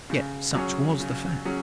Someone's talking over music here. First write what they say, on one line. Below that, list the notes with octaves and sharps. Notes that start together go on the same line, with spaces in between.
Yet such was the fact.
C#3
F#3 C#4 G#4 C#5
C#3
F#3 C#4 G#4 C#5